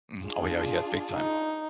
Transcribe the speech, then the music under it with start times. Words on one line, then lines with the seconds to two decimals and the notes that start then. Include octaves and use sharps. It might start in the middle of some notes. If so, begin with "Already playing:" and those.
Mh oh, yeah yeah, big time.
0.24 D4 F4 G#4
1.15 D#4